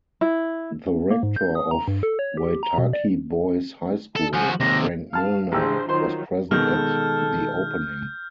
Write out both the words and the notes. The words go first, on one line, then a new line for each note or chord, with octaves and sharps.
The Rector of Waitaki Boys' High School, Frank Milner, was present at the opening.
E4
A#3
G#2
G6
D#6
A#5
G2
A4
C#5
G4
A#5
B2
D5
A4
F3 F#4 G#5
D#2 C3 A#6
F5 A5 F6
A1 D4 G4 G#4 C5 E6
D#3 F#3 F4 C5 C6
B2 D#3 G#3 A4 F6 G6